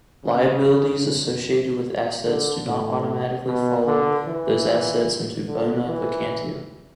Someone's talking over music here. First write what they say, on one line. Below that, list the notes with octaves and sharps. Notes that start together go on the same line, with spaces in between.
Liabilities associated with assets do not automatically follow those assets into "bona vacantia".
C#3
D3
A2
B2
D3
E3
D3
E3